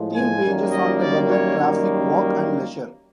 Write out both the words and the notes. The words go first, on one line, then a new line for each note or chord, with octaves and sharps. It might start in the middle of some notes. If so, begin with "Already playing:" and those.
Theme pages on the weather, traffic, work and leisure.
Already playing: A2 F3 G#3
G#5
F#2 D#3 G3 A#3
D#5
D5
C#5
F#2 D#3 G3 A#3